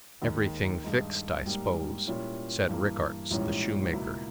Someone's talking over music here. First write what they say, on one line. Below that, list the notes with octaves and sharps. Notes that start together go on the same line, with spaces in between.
"Everything fixed, I s'pose?" said Rickarts, the shoemaker.
D#2 D#3 G#3 D#4
G2 D#3 G#3 D#4
G#2 G3 A#3
A#2 G3 C#4 E4
G2 E3 A#3
A#1 G#2 E3 G3 C#4
C#2 B2 A#3 E4